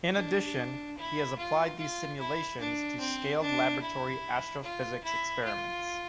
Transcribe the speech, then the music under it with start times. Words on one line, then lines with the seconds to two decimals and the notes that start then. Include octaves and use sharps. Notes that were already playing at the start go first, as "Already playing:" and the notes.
In addition, he has applied these simulations to scaled laboratory astrophysics experiments.
0.16 D4
0.97 E4
1.38 F4
1.78 F4
2.19 E4
2.59 D4
3.00 C4
3.41 D4
3.82 E4
4.63 F4
5.03 E4
5.44 F4